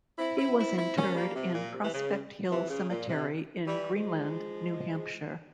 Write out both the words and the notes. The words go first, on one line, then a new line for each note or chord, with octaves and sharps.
He was interred in Prospect Hill Cemetery in Greenland, New Hampshire.
C4 E4
C4 E4
C4 E4
C4 E4
A#3 C#4
G3 A#3
C3
A#2
C3
E3
C#3
C3 E3
C#3
A#2
C3
E3 G3
F3 G#3